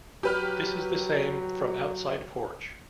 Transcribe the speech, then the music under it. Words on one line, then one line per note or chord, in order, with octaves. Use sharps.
This is the same from outside porch.
F#3 G4 B4 F6